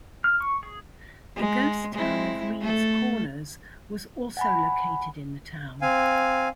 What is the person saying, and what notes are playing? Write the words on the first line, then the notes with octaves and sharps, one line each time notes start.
The ghost town of Reeds Corners was also located in the town.
F6
C#6
G#4
G#3
G#3 C4 E4
A3 A4
F#5 G#5 B5
C4 F5 G#5